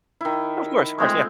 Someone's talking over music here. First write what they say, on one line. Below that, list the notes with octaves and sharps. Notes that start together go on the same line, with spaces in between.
Of course, of course, yeah.
D#3 E4
G#3 A3 C4 F4